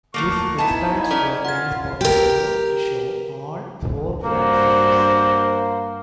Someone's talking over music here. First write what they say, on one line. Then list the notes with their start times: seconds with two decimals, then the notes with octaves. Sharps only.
This expands their tennis portfolio to show all four Grand Slams.
0.14 F#3 A3 A#3 C#6
0.58 B3 D#4 E4 G#5 A5
1.11 C#4 A4 D5 A#5
1.45 F4 F#5 G#6
2.01 G4 A#4
4.25 G2 A#3 F#4 C5